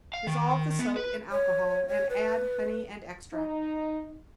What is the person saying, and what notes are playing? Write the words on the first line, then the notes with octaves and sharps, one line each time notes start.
Dissolve the soap in alcohol and add honey and extract.
F5
D#3
B3
B4
C#5
C#5
B4
D#4